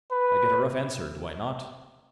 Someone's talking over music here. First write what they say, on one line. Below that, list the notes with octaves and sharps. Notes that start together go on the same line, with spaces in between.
I get a rough answer, do I not?
B4